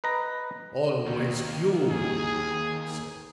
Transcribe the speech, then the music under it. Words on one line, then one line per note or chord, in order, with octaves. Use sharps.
"Always Hume," he said.
B4 D#5 A#5
D#2 D#3
G#4